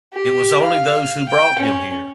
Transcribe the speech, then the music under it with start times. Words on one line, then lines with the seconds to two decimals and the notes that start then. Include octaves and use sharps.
It was only those who brought him here.
0.13 G4
0.62 F5
1.29 G5
1.59 C#4